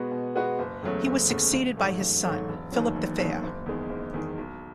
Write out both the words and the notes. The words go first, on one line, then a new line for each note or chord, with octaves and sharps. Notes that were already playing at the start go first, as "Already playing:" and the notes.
He was succeeded by his son Philip the Fair.
Already playing: B2 G#3 B3 F#4 B4
B2
G#3 B3 F#4 B4
F#1
E2 C#3 F#3 A3
F#1
E2 C#3 F#3 A3
A1
G#2 F#3 A3
A1
G#2 F#3 A3
E1
D#2 D#3 F#3
E1
D#2 D#3 F#3
F#1
E2 D#3 G#3
F#1
E2 D#3 G#3
B1